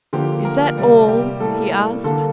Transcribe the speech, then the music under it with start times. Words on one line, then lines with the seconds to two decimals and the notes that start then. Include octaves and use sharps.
"Is that all?" he asked.
0.13 D3 F3 A#3 G4
0.45 A#4
0.77 C3 G3 A#3
1.08 G4
1.40 A2 G3 A#3 A4
2.04 D3 G3 A#3 A4